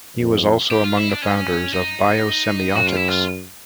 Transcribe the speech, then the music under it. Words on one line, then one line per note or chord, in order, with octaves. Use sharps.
He was also among the founders of biosemiotics.
F2
G4
F4
E4
D4
C#4
D#4
F#2 F#4
F4
E4
F4